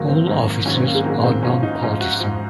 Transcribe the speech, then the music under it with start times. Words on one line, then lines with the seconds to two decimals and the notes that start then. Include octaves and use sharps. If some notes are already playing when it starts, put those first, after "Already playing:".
All offices are non-partisan.
Already playing: G#2 D#3 F#3 A#3
0.08 C4
0.27 G#2 D#3 F#3
0.66 G#2 D#3 F#3 C#4
0.75 C4
0.86 A#3
0.95 G#3
1.04 G#2 D#3 F#3 A#3
1.24 C4
1.43 G#2 F3 C#4
1.63 D#4
1.81 G#2 F3 F4
2.01 F#4
2.20 G#2 F3 F#4